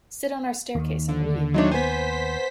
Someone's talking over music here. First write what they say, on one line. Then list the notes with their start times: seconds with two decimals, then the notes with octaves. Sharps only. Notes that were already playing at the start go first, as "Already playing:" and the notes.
Sit on our staircase and read.
0.75 D#2 D#3
1.09 D3
1.54 F#3 G#3 A3 D4 D#4 C#5
1.71 B3 C5 G#5 B6